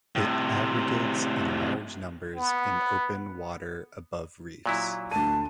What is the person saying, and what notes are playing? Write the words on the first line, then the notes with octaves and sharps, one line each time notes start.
It aggregates in large numbers in open water above reefs.
A2 C3
B3
A#2 F#3 E4
D2 A5 D#7